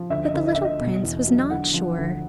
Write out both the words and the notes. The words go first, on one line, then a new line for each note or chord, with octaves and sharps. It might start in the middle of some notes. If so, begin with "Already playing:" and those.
But the little prince was not sure.
Already playing: F3
D2 E5
D#5
D2
D#5
D2 E5
D#5
B2
E2
F#3
D3 F#5
F3
D2